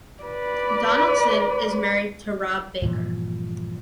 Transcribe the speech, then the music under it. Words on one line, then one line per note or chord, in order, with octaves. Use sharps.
Donaldson is married to Rob Baker.
B4 D5
G2 A#2 E3 F3